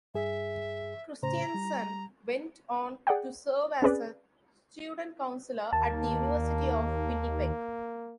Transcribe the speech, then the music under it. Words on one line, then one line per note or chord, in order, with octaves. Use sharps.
Christianson went on to serve as a student counsellor at the University of Winnipeg.
G2 G#4 E5
A2 C#3 C5 A#5
G3
G#4 D5 F#5 G5
C4 C#4 G#4 B4 D5
D#2 A#3 A5